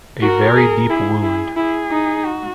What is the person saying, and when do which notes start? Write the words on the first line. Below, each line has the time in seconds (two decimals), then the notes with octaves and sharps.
A very deep wound.
0.22 F#4 A#4
0.56 G#4
0.90 E4 G#4
1.23 E4
1.57 E4 G#4
1.91 D#4
2.25 F#4